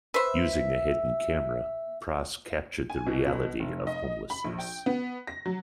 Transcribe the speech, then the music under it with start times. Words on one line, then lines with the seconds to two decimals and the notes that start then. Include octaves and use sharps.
Using a hidden camera, Pras captured the reality of homelessness.
0.14 B4 C5 E5
2.90 G#5
3.07 B2
3.26 B2
3.60 F1
3.87 D#5
4.30 B5
4.44 A#1
4.58 G5
4.86 B3
5.27 A#6
5.46 F#3